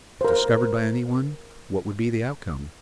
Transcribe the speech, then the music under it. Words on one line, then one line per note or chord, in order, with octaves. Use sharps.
If discovered by any one, what would be the outcome?
A#4 C5